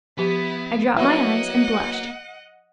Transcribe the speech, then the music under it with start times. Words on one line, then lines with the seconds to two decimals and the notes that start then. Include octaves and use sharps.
I dropped my eyes and blushed.
0.18 F3 B3 E4 G4
0.97 F#3 A#3 B3 E4 D#5 F#5